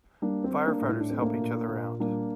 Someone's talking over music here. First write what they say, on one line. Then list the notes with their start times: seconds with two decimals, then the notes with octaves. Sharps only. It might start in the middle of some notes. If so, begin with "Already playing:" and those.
Firefighters help each other out.
0.22 G3 A#3 D4
0.44 C4
0.52 G3
0.66 A#3 D4
0.81 A2
0.89 E4
1.00 D4
1.10 A3 C4
1.21 A#3 D4
1.40 A#2
1.70 A#2
1.99 G3 A#3 D4